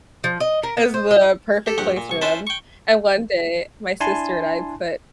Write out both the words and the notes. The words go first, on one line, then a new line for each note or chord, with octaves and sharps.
is the perfect place for 'em, and one day, my sister and I put
F3
D#5
A#4
B3
C5
D#5
G4 A4
A#1 G2 G4 F#5
A#2
C2 C#6
C#4 E4 F4 B4 C5 A5
G5 C#6
D4 E4 G#5 A5 C6